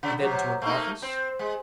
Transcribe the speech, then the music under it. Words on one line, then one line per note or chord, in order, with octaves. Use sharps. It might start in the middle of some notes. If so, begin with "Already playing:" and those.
"And then to an office?"
C#3
C3 F#3
A3 A#3 D#4
C4
G#3